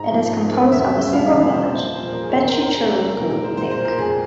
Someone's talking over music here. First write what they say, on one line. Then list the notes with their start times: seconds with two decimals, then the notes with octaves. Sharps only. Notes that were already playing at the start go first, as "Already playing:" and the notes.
It is composed of a single village, Becicherecu Mic.
Already playing: G#2 A#5
0.11 F3
0.31 G#2
0.52 A#3
0.72 E2 E5
0.93 C#3
1.01 E5
1.13 G3 F5
1.26 E5
1.34 E3
1.53 A#2 C5
1.74 F3
1.95 A#2 C5
2.08 A#4
2.15 A#3
2.22 G#4
2.29 C#5
2.35 E2 C5
2.49 A#4
2.56 C3
2.62 A#4
2.76 A#3 G#4
2.96 G3
3.17 A#2 A#4
3.31 A#4
3.37 G#3
3.44 C5
3.57 G#3 C5
3.71 C5
3.78 A#2
3.85 A#4
3.98 F2 G#4